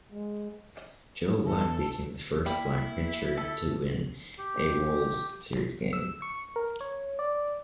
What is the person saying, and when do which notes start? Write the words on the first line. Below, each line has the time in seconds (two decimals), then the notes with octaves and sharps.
Joe Black became the first black pitcher to win a World Series game.
0.12 G#3
1.47 E2 A4
2.46 G3 A#3 E4
3.37 A4
4.38 G4
5.93 E6
6.22 C#6
6.56 A#4
6.81 C#5
7.19 D5